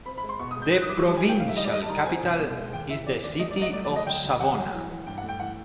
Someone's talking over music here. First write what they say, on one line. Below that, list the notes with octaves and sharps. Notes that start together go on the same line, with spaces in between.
The provincial capital is the city of Savona.
C4 B5
B5
G#3
C6
B2 C#6
D#6
G#3
G6
E3 F#6
D#6
G3 D6
C#6
G3 A5
G#5
E3
G5
D#3 F5
E5
G3 D#5
D5
G3 D#5
A5
D#3 A#5
A5
C4 G#5
C2
B2
G#3
D#2 G5
E3 E5
E3 D5
D#2 D5
A3 D#5
D5
F#3
D#5
A3 D5
D5
F#3
D#5
D2 G5
D2
F#3 F#5
F#3
E3
E3
G2 G5
F#5
A3 G5
E3 F#5